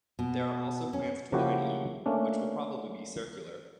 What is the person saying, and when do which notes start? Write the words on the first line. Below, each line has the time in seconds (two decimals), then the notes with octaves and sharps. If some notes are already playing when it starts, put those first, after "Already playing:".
There are also plans to line E, which will probably be circular.
0.19 B2
0.93 C#4
1.32 C#3 F3 A#3 E4 F#4 G4
2.06 A3 A#3 C#4 D4